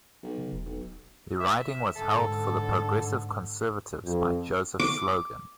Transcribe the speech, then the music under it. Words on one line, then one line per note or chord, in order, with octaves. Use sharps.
The riding was held for the Progressive Conservatives by Joseph Slogan.
B1
C#3
E1
B1
E5
G#2 D3 A4
F2
D6